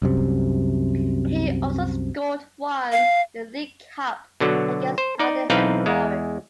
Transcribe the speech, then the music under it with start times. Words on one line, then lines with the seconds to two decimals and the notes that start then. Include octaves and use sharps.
He also scored once in the League Cup against Nottingham Forest.
0.02 C2 F#2 C3
2.92 F5
4.40 B2 D3 F#3
4.98 C5
5.19 D#4 D5
5.50 B1 E3 C4 D#4 B4 F5
5.86 E2 G#3